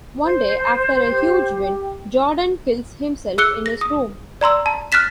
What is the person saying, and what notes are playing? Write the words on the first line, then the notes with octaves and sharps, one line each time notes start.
One day, after a huge win, Jordan kills himself in his room.
C5
G4
G#4 E6 F#6 C#7 G7
A#6
D#6
D5 A#5 C6 E6
A5
F6 F#6 A6 B6 E7